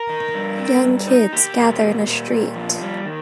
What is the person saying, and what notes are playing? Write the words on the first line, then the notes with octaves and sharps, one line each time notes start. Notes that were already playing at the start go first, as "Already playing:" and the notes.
Young kids gather in a street.
Already playing: A#4
D#4
G2
C4
G2
D#4
A#3 G4
A#2
A#2
A#2
A#2
F3
G3
D#3